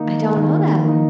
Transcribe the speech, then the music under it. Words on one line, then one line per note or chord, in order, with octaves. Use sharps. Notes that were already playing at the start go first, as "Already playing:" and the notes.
I don't know them.
Already playing: D#3 A#3 D#4
D#3
A#3 D#4